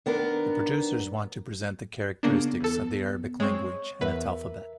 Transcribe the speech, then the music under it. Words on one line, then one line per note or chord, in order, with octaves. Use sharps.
The producers wanted to present the characteristics of the Arabic language and its alphabet.
D#3 B3 D4 A#4
C#3 A#3 B3 D4
E2 A4
G#3 C4 C#5 C#6
E2 A#4 B4 E5